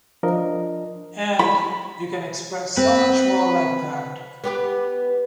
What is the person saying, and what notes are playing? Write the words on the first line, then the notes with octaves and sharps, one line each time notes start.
And you can express so much more like that.
F3 D4 A#4 D#5
B5
C4 B4
B3 G4 B4